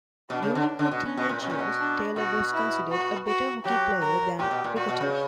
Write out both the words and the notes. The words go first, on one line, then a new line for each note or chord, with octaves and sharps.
During her teenage years, Taylor was considered a better hockey player than cricketer.
B2 D4
C#3
D3
D3
B2
C#4
B2
A#2
B2 C#4
A#2
B2
D4
B2 F#4
E4
F#4
F#4
F#3 G4
A#4
A#2 G4
B2
A#2
A#2 F#4
B2
C#3